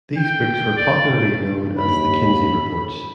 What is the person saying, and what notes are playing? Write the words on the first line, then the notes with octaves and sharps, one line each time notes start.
These books were popularly known as the "Kinsey Reports".
G5
D5
D#2 B5